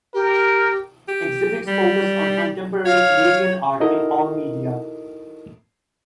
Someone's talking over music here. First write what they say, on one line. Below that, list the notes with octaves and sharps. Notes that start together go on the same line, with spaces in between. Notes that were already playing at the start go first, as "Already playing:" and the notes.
Exhibits focus on contemporary Canadian art in all media.
G4 A#4
G4
G3
C#5 F5
D#4 E4 F#4 A4 A#4 D#5